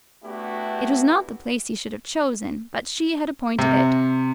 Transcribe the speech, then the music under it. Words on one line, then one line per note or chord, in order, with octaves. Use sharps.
It was not the place he should have chosen, but she had appointed it.
A3 B3 D4 E4 F#4 G4
C3